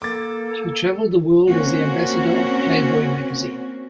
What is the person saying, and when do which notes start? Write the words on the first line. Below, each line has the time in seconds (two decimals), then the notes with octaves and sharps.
She traveled the world as the ambassador of "Playboy" magazine.
0.02 A#3 A4 D6 A6
1.48 A#3 C4 C#4 F#4